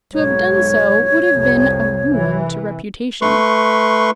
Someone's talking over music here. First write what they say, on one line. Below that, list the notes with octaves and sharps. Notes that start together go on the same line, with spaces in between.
To have done so would have been a ruin to reputation.
B1 G#2 B2 C#5
C2 F2
C2 E3
A3 B4 C6 C#6